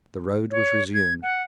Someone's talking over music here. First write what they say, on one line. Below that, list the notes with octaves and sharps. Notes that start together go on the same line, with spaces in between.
The road was resumed.
C#5
G#6
F#5